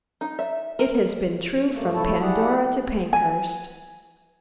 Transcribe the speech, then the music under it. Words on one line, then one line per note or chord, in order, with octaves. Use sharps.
It has been true from Pandora to Pankhurst.
D#4
E5
A#4
G2 A3 A#3
C3 A3 E4 A4 C#5 A5
E4 G4 G#4 D5 F#5
G#5